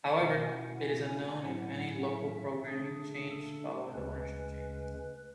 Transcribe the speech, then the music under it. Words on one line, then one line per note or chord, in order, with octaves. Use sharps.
However, it is unknown if any local programming changed following the ownership change.
B2 A3 C#4 E4 G#5
F#5
G#5
G#5
A2 F#3 C#4 E4 F#5
E5
E5
D3 A3 D4 G#4
G#4
A4
D2 C#3 G#3 C#4 B4